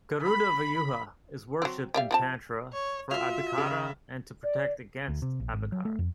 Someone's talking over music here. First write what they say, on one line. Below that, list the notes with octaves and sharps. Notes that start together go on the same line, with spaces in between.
Garuda Vyuha is worshiped in Tantra for Abhichara and to protect against Abhichara.
B5
F#3 C4
G3 E5 F5
F3 C4 A5
C#5
F4 F#4 E5 F5 C6
C#3
D5
D2
C3
A#1
G#1
F#3
A3
F2